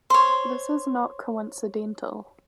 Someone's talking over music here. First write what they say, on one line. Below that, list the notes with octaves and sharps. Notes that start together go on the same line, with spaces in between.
This is not coincidental.
C5 C#5